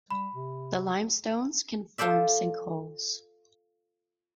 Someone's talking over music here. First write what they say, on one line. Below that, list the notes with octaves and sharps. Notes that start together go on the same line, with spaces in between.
The limestones can form sinkholes.
G3 B5
C3
F4 A4 C5 D5 E5